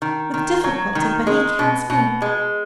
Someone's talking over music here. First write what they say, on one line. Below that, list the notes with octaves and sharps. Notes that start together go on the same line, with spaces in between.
"With difficulty, but he can speak."
D#3
D#3
F#3
D#3
G#3
B2
B2
G#3